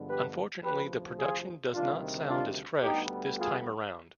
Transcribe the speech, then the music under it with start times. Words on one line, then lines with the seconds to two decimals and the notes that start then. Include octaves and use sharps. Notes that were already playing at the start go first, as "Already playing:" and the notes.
Unfortunately the production does not sound as fresh this time around.
Already playing: G2 D3 F3 G#3 B3
0.09 G4 B4
0.64 D2 C3 F3 G4 B4
1.19 F4 G#4
1.74 D2 C3 D#3 G3 D4 F4
2.28 D4 F4
2.83 D2 D3 G3 B3 D#4 G4
3.38 F4 G#4